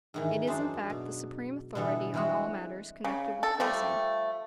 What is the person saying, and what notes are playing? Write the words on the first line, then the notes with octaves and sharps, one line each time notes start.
It is in fact, the supreme authority on all matters connected with coursing.
G#2 D#3 E3
F#2 G#3 D4 D#4 C5 A5
B2
B2 D3 E3 B3 A4
E3 G3 G#3 C4 F#4
C#3
A4
F3 G3 A3